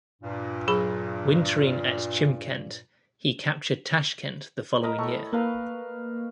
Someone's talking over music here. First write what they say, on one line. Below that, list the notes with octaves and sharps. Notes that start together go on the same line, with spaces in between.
Wintering at Chimkent, he captured Tashkent the following year.
G2 A#2
F#3 G#4 B5
A#4 D#5 B5
A2 A4 C#6
A#3 A#4 B4 F5